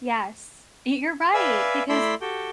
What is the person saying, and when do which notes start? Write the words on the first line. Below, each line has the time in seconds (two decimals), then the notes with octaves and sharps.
Yes, y you're right, because
1.34 B4 D5 E5 F5 G#5 E6
1.89 A3 E4 D5 B5 C6 E6
2.21 F#4 G4 A4 G5